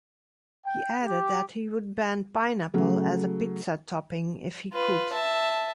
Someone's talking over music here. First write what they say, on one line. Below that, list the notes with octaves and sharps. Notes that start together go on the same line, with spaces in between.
He added that he would ban pineapple as a pizza topping if he could.
G5
G4
C#3 F#3 A3
F4 B4
E5 A5